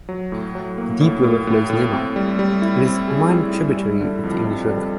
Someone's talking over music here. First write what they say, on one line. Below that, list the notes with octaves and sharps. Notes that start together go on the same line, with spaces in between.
The Deep River flows nearby; it is a minor tributary of the English River.
F#3
A2
F#3
A#3
A2
A2
A2
A2
C4
G3
G3
E4
C4
G#4
G3
E4
G3
D3
F2
F2
G3